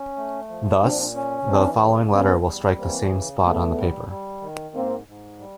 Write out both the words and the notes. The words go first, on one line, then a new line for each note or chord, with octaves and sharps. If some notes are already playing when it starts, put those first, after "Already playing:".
Thus, the following letter will strike the same spot on the paper.
Already playing: C#4
A3
F3
A#2 C4 D4
C#4
E3 C4 D4
C#3
E2 B3 C#4
G3
E3 A#3 C4
C#3
E2 A3 B3
G3
G3
D#3
G#2 A#3 C4
G#2
G3